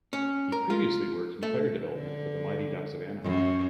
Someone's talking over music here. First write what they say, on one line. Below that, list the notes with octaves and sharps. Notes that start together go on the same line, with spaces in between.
He previously worked in Player Development for the Mighty Ducks of Anaheim.
C#4
A#4
F4
A3
D3
F#2